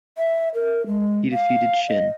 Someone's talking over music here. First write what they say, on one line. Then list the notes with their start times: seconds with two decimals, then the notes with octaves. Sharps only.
He defeated Shinn.
0.18 E5
0.55 A#4
0.87 G#3
1.33 F5
1.89 D#5